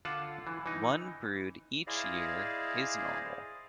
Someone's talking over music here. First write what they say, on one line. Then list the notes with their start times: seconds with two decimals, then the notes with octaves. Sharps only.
One brood each year is normal.
0.05 D3 F4 F#5 A5
0.47 E3
0.66 E3 D#4
1.87 E4 G#4 C5 D5 D#5 F5